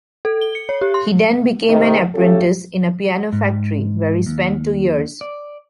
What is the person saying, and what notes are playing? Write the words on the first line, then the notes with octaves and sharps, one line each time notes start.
He then became an apprentice in a piano factory, where he spent two years.
A4
G7
C#7
C#5
G4
C6
C3 D#3
F#3 A3 C#4 F4 G4 A4
G#2
D#2
D5